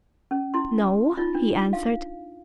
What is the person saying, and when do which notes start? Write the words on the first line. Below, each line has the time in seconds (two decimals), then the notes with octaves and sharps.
"No," he answered.
0.31 C#4
0.54 E4 C6
1.17 D#4 F4
1.35 D4
1.73 F5